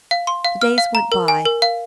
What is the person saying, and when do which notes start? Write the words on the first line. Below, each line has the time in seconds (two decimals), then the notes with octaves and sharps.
The days went by.
0.11 F5
0.27 C6
0.45 F5
0.62 F6
0.78 F5
0.95 A#5
1.12 A#4
1.28 G#5
1.45 A#4
1.62 F5